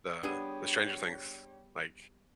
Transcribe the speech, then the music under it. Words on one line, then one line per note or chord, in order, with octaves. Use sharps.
the the Stranger Things, like,
G3 B3 D4 G4 G#4 C#5 D#7